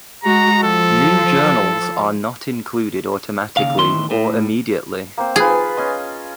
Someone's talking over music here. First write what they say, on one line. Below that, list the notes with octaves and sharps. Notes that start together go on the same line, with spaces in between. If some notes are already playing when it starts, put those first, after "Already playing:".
New journals are not included automatically or immediately.
G#3 F#4 A#5
F3 A4
D#2 G#2 C#3 F5
E2 A2 D#3 E3 C6
A2
A#3 C4 C5
F4 G#4 B4
C#4 D#5 C6